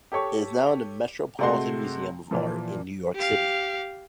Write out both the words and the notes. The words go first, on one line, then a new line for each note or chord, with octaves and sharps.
It is now in the Metropolitan Museum of Art in New York City.
G4 A4 C#5 C#6
C3 G#3 A3 C4 F#4 C6
A#2 E3 F3
G4 F5